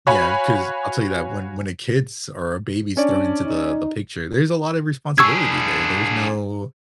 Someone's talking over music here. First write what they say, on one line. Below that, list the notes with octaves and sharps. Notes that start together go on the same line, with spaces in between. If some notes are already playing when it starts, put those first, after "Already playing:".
yeah, 'cause I'll tell you that when when a kid's or a baby's thrown into the the picture, there's a lot of responsibility there there's no
F#4 C#5 F5 G#5 B5
C#4 D4 C#5 D5
D#4
D4 G#4 C#6 E6 G#6